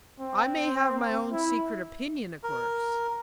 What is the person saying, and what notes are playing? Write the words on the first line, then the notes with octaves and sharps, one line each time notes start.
I may have my own secret opinion, of course.
C4
E4
A#4